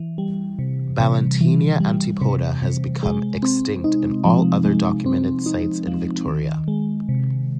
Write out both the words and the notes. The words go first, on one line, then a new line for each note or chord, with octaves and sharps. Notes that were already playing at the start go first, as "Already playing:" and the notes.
Ballantinia antipoda has become extinct in all other documented sites in Victoria.
Already playing: E3
G3
C3
C3
E3
G3
C3
C3
G#3
C4
D#4
F3
G#3
C4
D#4
F3
D#3
G#3
C3